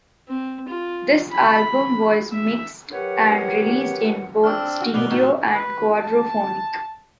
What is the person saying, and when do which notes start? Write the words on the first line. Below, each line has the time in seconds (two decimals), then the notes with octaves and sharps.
This album was mixed and released in both stereo and quadraphonic.
0.28 C4
0.69 F4
1.32 B5
2.33 E5
2.93 F#3 G4 A#4 B4 C#5 F#5
4.44 C4 D4 E6 F6
4.81 F#4
4.94 G#2 B2 B3 D5 F#6 F7 G7
5.10 A2 F#3 G3 B3 D#4 F#4 A5
5.51 B4
5.98 A5